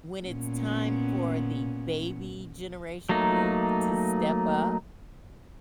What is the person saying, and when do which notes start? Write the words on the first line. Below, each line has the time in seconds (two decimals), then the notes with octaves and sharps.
when it's time for the baby generation group to step up,
0.24 A#2 B3 C#4
3.09 F#3 A3 A#3 D#4